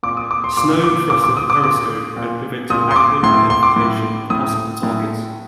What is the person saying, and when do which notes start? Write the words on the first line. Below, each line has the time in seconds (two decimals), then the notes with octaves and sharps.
Snow frosted the periscope and prevented accurate identification of possible targets.
0.03 A#2 D6
0.17 D#6
0.31 D6
0.44 C6
0.57 A#2 D6
0.84 D6
1.10 A#2 D6
1.24 D6
1.37 D#6
1.50 D6
1.63 A#2 D6
2.17 A#2
2.70 A#2 D#6
2.91 C6
2.96 D6
3.23 A2 C6
3.50 C6
3.63 D6
3.76 A2
4.30 A2 D#6
4.83 A2